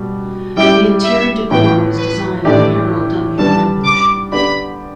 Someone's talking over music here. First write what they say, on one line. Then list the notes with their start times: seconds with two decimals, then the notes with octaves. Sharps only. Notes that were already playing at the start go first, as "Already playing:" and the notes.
The interior decor was designed by Harold W. Rambusch.
Already playing: B2 G3
0.57 G3 E4 G4 G5
1.04 E5
1.51 A2 E3 B3 G5
1.98 B4
2.45 A2 E3 A3 D4 G4 D5
3.38 G3 B3 D4 A5
3.85 D6
4.32 D3 B3 G4 D5 B5